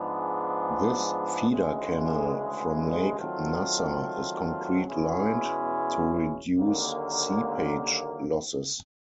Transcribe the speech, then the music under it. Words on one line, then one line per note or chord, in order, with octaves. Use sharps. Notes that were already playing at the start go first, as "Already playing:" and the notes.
This feeder canal from Lake Nasser is concrete lined, to reduce seepage losses.
Already playing: G#2 F3 G#3 B3 D4
D2 C#3 E3 G#3
D#3 F#3 A3 C4 F4
E2 B2 G#3 C#4 E4
D#2 D3 F#3 A#3